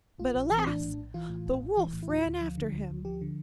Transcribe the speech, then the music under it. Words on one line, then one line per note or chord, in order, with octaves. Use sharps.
But, alas! the wolf ran after him.
A#1 F4
A#1
E3
C4
A2 D4
A#1
A#1
E3 F4
A2
A#1
A#1
E3
A2
E4
D2 F4
D2
F3
D3
D2
D2
F3 G4
D3